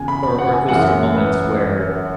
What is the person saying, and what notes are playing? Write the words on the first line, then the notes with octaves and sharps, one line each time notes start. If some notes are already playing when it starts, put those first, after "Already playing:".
or or goes through moments where,
Already playing: E2 C#3 B3 G#5
B5
B5
F#5
G#5
F#2 E3 G#3 F#5
B4